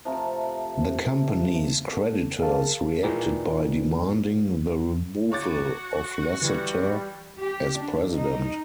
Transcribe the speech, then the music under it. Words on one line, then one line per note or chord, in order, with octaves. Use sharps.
The company's creditors reacted by demanding the removal of Lassiter as president.
C3 F3 A3 A#5
A4
G#4 A#4 F5 A5
A#2 D#3 E3 G#3
F#4 C#5 D6 A6
E3 G3
G4
D4
D#4